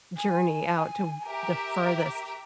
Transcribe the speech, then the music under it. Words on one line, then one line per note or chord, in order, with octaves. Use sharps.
journey out to the furthest
G#5
G4 A#4 E5